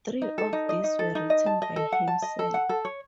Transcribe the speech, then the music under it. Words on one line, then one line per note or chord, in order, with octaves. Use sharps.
Three of these were written by himself.
D#4
A4
D#4
D#5
D#4
A4
D#4
D#5
A5
D#5
A4
F#5
A5
D#5
A4
F#5
A4
C#5